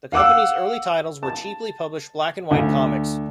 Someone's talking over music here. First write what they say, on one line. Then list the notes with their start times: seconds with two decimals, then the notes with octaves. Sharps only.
The company's early titles were cheaply published black-and-white comics.
0.12 F5 F#5 D6 E6
1.23 A5
2.51 D2